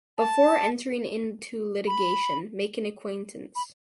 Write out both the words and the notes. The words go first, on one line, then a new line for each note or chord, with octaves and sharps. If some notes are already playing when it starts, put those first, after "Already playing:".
Before entering into litigation, make an acquaintance.
A5
B5
B5